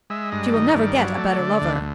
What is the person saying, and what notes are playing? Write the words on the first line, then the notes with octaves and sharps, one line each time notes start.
"She will never get a better lover."
G#3 E5
G2 D#5
D5
D#3 D#5
C#5
G2 D5
F#3
A3
D3
D2